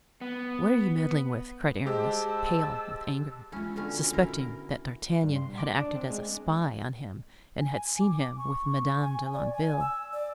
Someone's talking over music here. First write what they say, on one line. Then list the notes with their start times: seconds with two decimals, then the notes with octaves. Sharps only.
"What are you meddling with?" cried Aramis, pale with anger, suspecting that D'Artagnan had acted as a spy on him and had seen him with Madame de Longueville.
0.21 B3
1.85 G#3 G4 G#4 C5 D#5 A5 E6
3.52 G#3 C#4 E4 F4
3.76 B2 D3 C#4
4.12 B2 D3 E4 A#4
5.23 G2
5.36 C6
5.58 D6
5.79 D4
5.95 C4
6.10 G#3
7.60 G#5
8.00 D6
8.38 C#6
9.01 G#5
9.33 D5
9.53 G#5
9.80 E6
10.12 D5